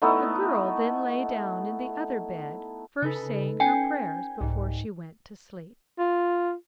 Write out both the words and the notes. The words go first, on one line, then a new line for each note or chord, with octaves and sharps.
The girl then lay down in the other bed, first saying her prayers before she went to sleep.
A3 B3 D#4 E4
C#3 D#4 A4 B4
C#4 G5 G#5 G6 G#6
C2 G#2
F4